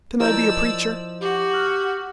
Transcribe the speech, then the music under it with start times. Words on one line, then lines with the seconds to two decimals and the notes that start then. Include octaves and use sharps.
Can I be a preacher?
0.20 F3 E4 A#4 C5 D5 D#5 E6 G6
1.21 F#4 G4
1.54 F6 F#6